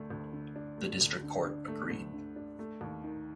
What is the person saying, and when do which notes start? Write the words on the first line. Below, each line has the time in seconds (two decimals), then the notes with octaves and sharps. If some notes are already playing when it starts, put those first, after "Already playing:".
The district court agreed.
Already playing: D2 D3 A3 D4
0.10 D2
0.33 D3
0.56 D4
0.78 A3
1.01 D2
1.23 D3
1.46 D4
1.68 A3
1.91 D2
2.14 D3
2.36 D4
2.59 A3
2.81 D#2
3.04 D#3